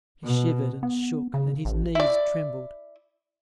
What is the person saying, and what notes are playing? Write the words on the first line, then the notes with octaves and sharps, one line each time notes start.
He shivered and shook, and his knees trembled.
B2
B3
C#3
A1
E4 D5